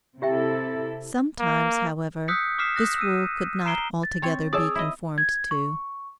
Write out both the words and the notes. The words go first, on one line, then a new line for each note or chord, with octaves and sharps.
Sometimes, however, this rule could not altogether be conformed to.
C3 E4 G4 A4 E5 G5
A#3
D#6 E6 F#6 G6 B6 C#7
D6 D#6 F6 B6 C7 E7
D#6 F#6 A#6
E6 D#7
A#5 C7 D7 G7
A6
C4 C#5
G#4 C#5 D5 A5 D#6 E6
E4 D#5
G#6
C#6